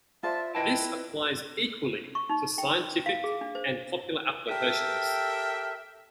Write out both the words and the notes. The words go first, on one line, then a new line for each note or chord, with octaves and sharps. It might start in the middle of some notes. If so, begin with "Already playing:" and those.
This applies equally to scientific and popular applications.
F4 C5 D5 E5 A5
E4 B4 D#5 G5 A5
C#6
D#4
G5
F5
G#4
D4
C5
G4 A4 A#4 E5 G5